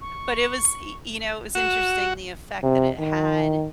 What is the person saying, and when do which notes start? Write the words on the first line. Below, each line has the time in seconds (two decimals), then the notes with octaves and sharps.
But it was, y you know, it was interesting the effect that it had
0.01 C#6
1.55 F#4 E7
2.63 C3
2.99 D#3